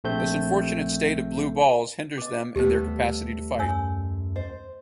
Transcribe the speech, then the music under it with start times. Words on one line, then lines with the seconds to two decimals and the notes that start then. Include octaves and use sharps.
This unfortunate state of "blue balls" hinders them in their capacity to fight.
0.04 A#1 A3 C4 G6
2.18 B3 D#5 D6
2.56 D#2 G3 A3 B3 G4 C5
3.59 F#2 C#5 G#5 E6
4.36 C5 D#5